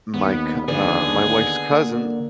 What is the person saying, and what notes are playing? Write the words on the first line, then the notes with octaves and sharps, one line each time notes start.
My cou uh, my wife's cousin,
D#2 B3
D#2 D3 F3 B3 D4 G#4
A#3